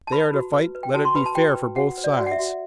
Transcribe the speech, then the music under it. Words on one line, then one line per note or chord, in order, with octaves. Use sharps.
If they are to fight, let it be fair for both sides.
A5
B4 B5
F#4
B4
B4
G5
F#4 A5
C6
B4 B5
A5
F#4 G5
B4
F#4 F#5
C5
D5
F#4
F#5
E5
F#4